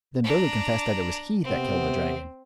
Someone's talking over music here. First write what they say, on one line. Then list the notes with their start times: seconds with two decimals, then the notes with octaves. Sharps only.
Then Billy confessed that it was he that killed the dragon.
0.24 D4 A#5
1.44 C3 B3 C4